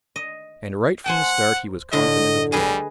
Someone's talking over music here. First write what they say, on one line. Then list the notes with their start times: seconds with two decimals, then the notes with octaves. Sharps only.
And right from the start he was confident of winning.
0.16 D#5
1.06 C5 F#5 G#5 A5
1.92 A2 D3 D#5
2.52 G3 G#4 B4 D#5